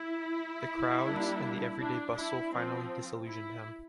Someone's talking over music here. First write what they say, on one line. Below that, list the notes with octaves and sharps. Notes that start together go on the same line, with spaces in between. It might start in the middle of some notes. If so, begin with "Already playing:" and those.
The crowds and the everyday bustle finally disillusioned him.
Already playing: E4
G3 A#3 D4
D4
E4
F3 C4
E4